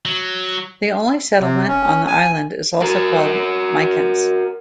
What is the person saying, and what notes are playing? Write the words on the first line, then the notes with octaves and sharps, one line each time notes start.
The only settlement on the island is also called Mykines.
F#3
C3
C#4
G#5
F#4 A#4